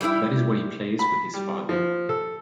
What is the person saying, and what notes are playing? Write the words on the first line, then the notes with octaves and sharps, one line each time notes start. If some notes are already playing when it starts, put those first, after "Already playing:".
That is what he plays with his father.
G3 A#3 C#4 E4 G4
B5
G3
F3
A4